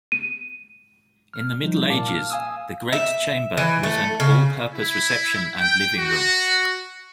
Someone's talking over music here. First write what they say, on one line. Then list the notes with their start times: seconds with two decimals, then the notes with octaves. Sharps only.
In the Middle Ages the great chamber was an all-purpose reception and living room.
0.12 D#7
1.33 F6
1.64 F3 G3 D#4
1.90 A#2 F5 A5 D6
2.08 F6
2.30 F5 G#5 D#6 E6
2.92 E5
3.57 E3
3.83 A3
4.20 C#3
4.74 E4
5.58 G5
5.98 F#4